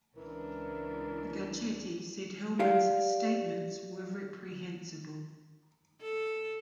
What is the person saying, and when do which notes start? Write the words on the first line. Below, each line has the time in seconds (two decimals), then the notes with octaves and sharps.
Garcetti said Hillmann's statements were reprehensible.
0.16 C#2 E3 G#3 C#4 D4 A#4
2.59 G4 D5 F5
6.01 A4